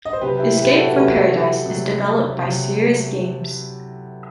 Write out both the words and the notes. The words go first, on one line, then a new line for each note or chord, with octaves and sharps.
Escape from Paradise is developed by Sirius Games.
D#5
C5
C3 F#3 G4 B4
E4 G4
G4 B4
F#4 A4
C3 F#3 G4 B4
C3 F#3
C3 F#3